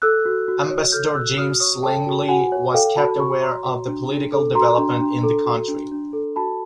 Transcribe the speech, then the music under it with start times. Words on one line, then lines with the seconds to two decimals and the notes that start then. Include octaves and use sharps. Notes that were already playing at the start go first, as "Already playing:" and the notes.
Ambassador James Langley was kept aware of the political development in the country.
0.02 A4 E6 F#6
0.25 F#4
0.48 F#4
0.70 C#5
0.92 A4 F6 G6
1.15 F#4 E6 F#6
1.38 F#4 D#6 F6
1.60 C#5 C#6 D#6
1.83 A4 G5 A5
2.07 F#4
2.28 F#4 F#5 G#5
2.52 C#5
2.73 A4 F5 G5
2.96 F#4 A5 B5
3.19 F#4 B5 C#6
3.41 C#5 A#5 C6
3.65 F#4
3.87 D4
4.10 D4
4.32 A4
4.55 F#4 A#5 C6
4.78 D4
5.00 D4
5.23 A4
5.45 F#4
5.68 D4
5.92 D4
6.13 A4
6.36 F#4 A5 B5